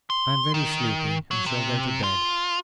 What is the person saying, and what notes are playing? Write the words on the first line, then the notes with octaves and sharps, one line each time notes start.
I am very sleepy and shall go to bed....
C6
D#3
F#3
C3
F4